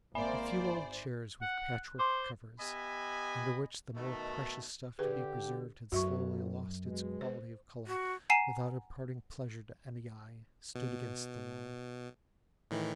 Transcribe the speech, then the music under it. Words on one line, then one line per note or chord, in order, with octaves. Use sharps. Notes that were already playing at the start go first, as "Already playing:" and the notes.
A few old chairs with patch-work covers, under which the more precious stuff to be preserved had slowly lost its quality of colour without imparting pleasure to any eye, stood against the wall.
G#1 A#3 C5 D5 E5 G#5 B5
F#5
F#6
C5 C6 D6
B3 G4 D#5 E5 G#5 B5
B2 D#3 A3
D3 G4 G#4 B4
A1 F#2 F#4 E5 C#6
B2 G#3
C5
F#4
F#5 G#5 A#5 C7 D#7 E7
B2
A2 D#3 E3